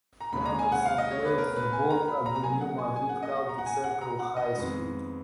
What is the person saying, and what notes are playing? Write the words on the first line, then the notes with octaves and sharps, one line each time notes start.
Anderson played football at New Madrid County Central High School.
A#5
D#2 C#3 G#3 C#4 B5
A#5
G#5
F#5
F5
D#5
C#5
B4
A#4
B4
G#5
A#5
B5
A#5
A#5
B2 F#3 A#3 G#5
F#5
G#5
G#5
F#5
D#5
F#5
A#5
F#5
G#5
F#5
A#5
F#5
D#5
F2 D#3 G#3 B3